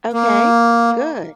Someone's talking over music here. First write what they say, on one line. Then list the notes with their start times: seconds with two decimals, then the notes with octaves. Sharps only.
Okay. Good.
0.13 A#3